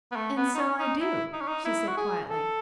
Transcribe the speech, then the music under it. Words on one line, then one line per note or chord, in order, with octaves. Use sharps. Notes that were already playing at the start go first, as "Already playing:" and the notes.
"And so I do," she said, quietly.
B3
A3
B3
D#4
C#4
D#4
E4
D#4
C#4
D#4
E4
F#4
G#4
A4